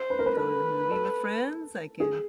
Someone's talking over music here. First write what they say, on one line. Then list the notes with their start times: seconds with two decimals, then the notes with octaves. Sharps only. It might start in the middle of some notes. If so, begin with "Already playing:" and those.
go to the movie with friends, I can
Already playing: C5
0.10 B4
0.19 A#4
0.26 B4
0.37 A4 B4
0.91 A4
2.00 G#4